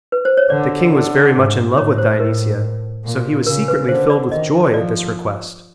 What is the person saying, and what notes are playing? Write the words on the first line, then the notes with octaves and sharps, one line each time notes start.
The king was very much in love with Dionysia, so he was secretly filled with joy at this request.
B4
C5
C#5
D3 D5
D3
G#2
A2 C#5
C5
A#4
A#2
C#3 A#4
B4
D3 C5
D5
D#3 D#5
F3 D5